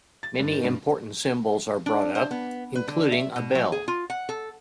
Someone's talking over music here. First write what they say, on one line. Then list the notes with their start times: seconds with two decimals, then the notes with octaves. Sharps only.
Many important symbols are brought up, including a bell.
0.23 A6
0.39 G2
0.52 D#3
0.64 G2
1.86 D4
2.15 C5
2.31 B3
2.75 B4
2.88 D3
3.12 E5
3.36 B2
3.55 F#3
3.72 G#4
3.88 F4
4.10 F#5
4.29 A4